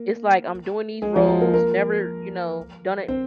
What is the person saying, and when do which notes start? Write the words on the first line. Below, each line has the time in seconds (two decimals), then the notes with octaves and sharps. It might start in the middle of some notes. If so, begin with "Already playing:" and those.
it's, like, I'm doing these roads, never, you know, done it
Already playing: A#3
1.02 G#3 G#4
1.16 F3 F4
1.28 G#3 G#4
1.41 A#3 A#4
1.54 A#3 A#4
3.08 C4 C5